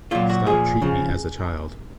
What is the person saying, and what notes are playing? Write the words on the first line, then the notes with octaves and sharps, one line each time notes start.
Stop treat me as a child.
A#2 F#3 F4
F#4
A#2 F3 G#4
C#3 F3